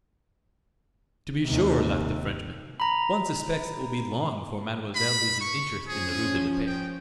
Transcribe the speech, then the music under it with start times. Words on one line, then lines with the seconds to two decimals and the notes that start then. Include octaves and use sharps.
"To be sure," laughed the Frenchman; "one suspects it will be long before mademoiselle loses interest in the rue de la Paix."
1.44 D#2 C3
2.80 A#5 B5
4.95 B5
5.40 C#6
5.88 F3 C#4 G#4
6.66 G5